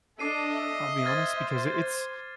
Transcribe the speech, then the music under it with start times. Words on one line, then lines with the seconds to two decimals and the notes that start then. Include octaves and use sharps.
I'll be honest because i it's
0.19 D4 A4 D#5 D6 C7 D#7
0.52 E5
1.05 C5 F6 G#6 A6